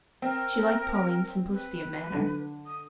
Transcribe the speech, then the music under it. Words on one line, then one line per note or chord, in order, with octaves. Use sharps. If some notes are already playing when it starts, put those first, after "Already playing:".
She liked Pauline's simplicity of manner.
C4 A#4
B4
D3
D#6